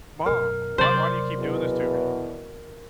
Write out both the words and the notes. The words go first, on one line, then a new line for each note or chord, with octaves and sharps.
"Mom, why why do you keep doing this to me?"
F#2 B2 A#4
C3 F#3 C5 D5
E2 B2